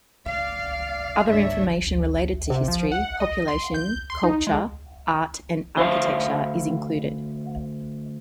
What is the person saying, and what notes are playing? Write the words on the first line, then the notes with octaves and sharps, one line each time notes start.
Other information related to history, population, culture, art and architecture is included.
D5 F5
G#2 D4 C#5 E5
C3
F3
F#5
D#5
C6
G6
C6
D#4
G#3
D2 C5 E5 F5 C6